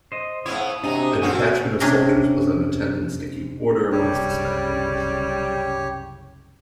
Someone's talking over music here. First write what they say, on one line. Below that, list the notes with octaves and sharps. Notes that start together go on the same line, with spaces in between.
A detachment of soldiers was in attendance to keep order amongst the spectators.
C5 D#5
G#2 B3 E4 C#5 F5 D#6
C3 F#3 D4 D#4 G#5 A#5
A3 A#3 C4 F#4 G#5 C#6 F6
C3 C#4 D4 G#4 A#5
C2 F#2 C#3 G3 G4 C#5